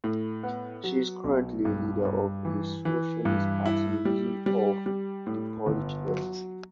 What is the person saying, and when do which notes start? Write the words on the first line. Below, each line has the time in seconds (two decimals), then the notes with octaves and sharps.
She is currently a leader of a socialist party Reason of the Polish Left.
0.04 A2
0.43 B3
0.84 F#3
1.24 B1
1.65 G2
2.05 G2
2.45 E3
2.85 E3
3.25 G2
3.66 E4
4.05 G3
4.46 G3
4.86 G3
5.27 A2
5.66 G1
6.06 F#3